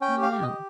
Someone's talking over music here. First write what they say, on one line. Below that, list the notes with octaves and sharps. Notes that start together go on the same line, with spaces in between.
I don't know.
C#4 G5
G4
F5
G4
G4 D#5